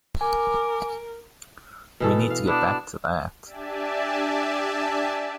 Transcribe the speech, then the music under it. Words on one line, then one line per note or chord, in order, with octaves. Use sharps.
We need to get back to that.
A#4 G#5 D6
B2 E3 A4
F5
B3 D4 E4
D4
D4 G4 D5 E5 G#5 A5